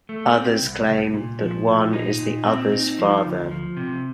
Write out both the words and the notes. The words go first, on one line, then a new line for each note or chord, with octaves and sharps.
Others claim that one is the other's father.
A3
C4
C2
C2
A#2
F3
A#2
D#4
A#2
C4
D#4
F3
D2
F3
C3